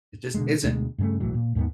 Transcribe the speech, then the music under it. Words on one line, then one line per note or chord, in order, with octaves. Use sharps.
It just isn't.
B2 D3 G#3
D2 B2 F#3 G#3
G2 C#3 A3
B1 A2 E3 F#3
A#2
D#2 G#2 D#3 B3